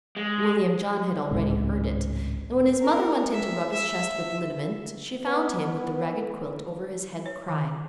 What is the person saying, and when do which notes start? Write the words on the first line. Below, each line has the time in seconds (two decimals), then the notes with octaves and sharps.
William John had already heard it, and when his mother went in to rub his chest with liniment, she found him with the ragged quilt over his head crying.
0.17 G#3
1.31 G#1 C#2 A2 G#3
2.82 A#4
3.32 E5
3.72 E5
5.27 B3
7.26 C#5
7.48 D#3